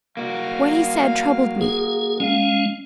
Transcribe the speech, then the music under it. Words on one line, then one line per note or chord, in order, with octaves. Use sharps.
What he said troubled me.
A#3 F#4 F5
G#4
G#3 C#4 F5